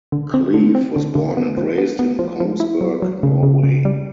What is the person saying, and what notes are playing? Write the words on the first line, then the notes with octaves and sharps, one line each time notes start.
Cleve was born and raised in Kongsberg, Norway.
D3
C4
D3
C4
D3
D3
B3
F3
B3
B3
F3
F3
E4
F#3
F#3
C#3
C#3
C#3
G3